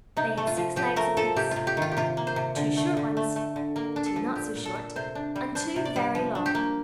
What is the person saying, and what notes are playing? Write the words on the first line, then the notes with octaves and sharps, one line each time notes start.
They had six legs apiece,--two short ones, two not so short, and two very long.
C3 D#4
A3
F4
F3
F3 G4
A3 A#4
F3 A4
C3 G4
C3 F4
G4
D#3 F4
G4
C3 F4
A#3
C5
C3
D3
A3
D3
A3
A3
D3
A#3 A#4
D4
A4
F3
A#2 G4
A#2
A4
A#2
C3 C5
D4
G3
D4 C5
C3
D5
G3
F3
D4
G4
A#3